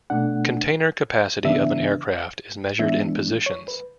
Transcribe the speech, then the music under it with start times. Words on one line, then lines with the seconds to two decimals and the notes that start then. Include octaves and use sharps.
Container capacity of an aircraft is measured in "positions".
0.10 B2 A3 D4 F#5
1.44 C#3 E3 B3 D4 E5
2.79 E3 G#3 B3 D4 E5
3.46 C#5
3.68 B4